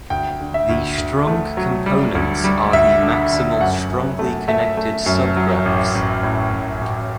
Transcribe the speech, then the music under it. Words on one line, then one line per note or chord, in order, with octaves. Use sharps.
The "strong components" are the maximal strongly connected subgraphs.
D2 G5
D3
E5
D2
D2
A3
F#3
G3
D2
G3
D2 E5
D3
D3
F#2 F#5
F#2
A3
A3 E5
A3
F#2
F#3
A1
A1
A2
A1
A1